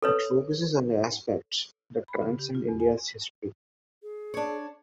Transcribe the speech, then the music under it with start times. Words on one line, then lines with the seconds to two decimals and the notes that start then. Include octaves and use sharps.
It focuses on the aspects that transcend India's history.
0.02 A4 B4 C#5
2.08 B5
2.22 C#3
2.39 G4
2.55 F4
2.68 E2
2.80 G#5
4.03 G#4
4.34 D4 C#5